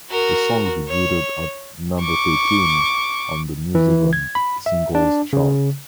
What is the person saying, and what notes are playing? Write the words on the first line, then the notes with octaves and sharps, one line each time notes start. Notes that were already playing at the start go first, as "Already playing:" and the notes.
The song debuted at number thirteen on the New Zealand Singles Chart.
F#4 A#4
C#5
C#6 D6
E3
G#6
B5
E5
D4
C#3